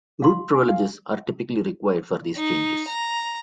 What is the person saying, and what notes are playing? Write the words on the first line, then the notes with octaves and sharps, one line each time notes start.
Root privileges are typically required for these changes.
F5 C6
G#5
F5
D#4
A#5